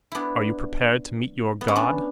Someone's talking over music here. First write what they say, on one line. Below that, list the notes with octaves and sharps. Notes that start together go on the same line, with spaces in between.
"Are you prepared to meet your God?"
B3 D4 E4
B3
C#4
B3 D4